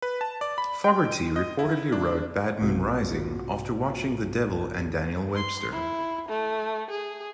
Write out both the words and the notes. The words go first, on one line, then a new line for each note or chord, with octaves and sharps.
Fogerty reportedly wrote "Bad Moon Rising" after watching "The Devil and Daniel Webster".
B4
A5
D5
B5
G5
D#7
D#5
E4
D4
B1 G#2 C3 F4 F#4
C6
E4
A3
G#4